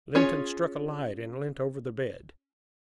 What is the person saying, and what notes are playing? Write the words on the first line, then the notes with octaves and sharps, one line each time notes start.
Lynton struck a light and leant over the bed.
C#4 F4 G#4 C#5